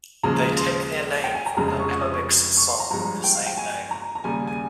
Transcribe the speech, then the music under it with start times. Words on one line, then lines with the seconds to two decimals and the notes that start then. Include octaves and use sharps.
They take their name from the Amebix song of the same name.
0.23 D#2 C#3 F3 G#3 A#5
0.57 C6
1.24 G5
1.35 G#5
1.46 A#5
1.57 F1 F2 C#3 F3 G#3 A#5
1.68 A#5
1.79 C#6
1.90 C#6
2.01 D#6
2.13 C#6
2.57 C#6
2.69 C6
2.80 A#5
2.91 G1 G2 F3 G#3 A#5
3.24 G5
3.35 F5
3.46 G5
3.58 G#5
3.91 A#5
4.15 A#5
4.24 D#2 C#3 G3 G#5
4.47 G#5